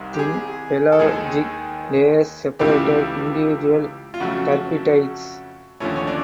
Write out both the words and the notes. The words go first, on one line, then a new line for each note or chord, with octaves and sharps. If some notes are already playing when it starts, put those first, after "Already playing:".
Thin pelagic layers separated individual turbidites.
Already playing: C2 C3 D#3 G3
G4
G#4
A4
D#2 D#3 G#3 G#4
C#2 C#3 E3 A3 G4
F4
F2 C#3 F#3 A3 F#4
D#2 D3 F3 A3 C#4
C#4
D4